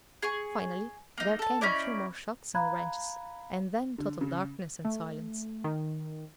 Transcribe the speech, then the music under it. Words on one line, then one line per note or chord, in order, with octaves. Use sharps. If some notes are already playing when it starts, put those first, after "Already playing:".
Finally there came a few more shocks and wrenches, and then total darkness and silence.
G#4 G#5 C#6
A#3 D#4
A4 A5
C#4 D#4 E4 D5
F5 A#5 B5 F#6 G#6
D3
C#3
A3
D#3